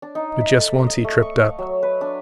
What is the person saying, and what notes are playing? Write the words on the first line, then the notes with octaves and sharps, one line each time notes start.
But just once he tripped up.
D4
D#4
E5
A4
A#5
D#5
A3
C#6
F5
F#3
B4
D4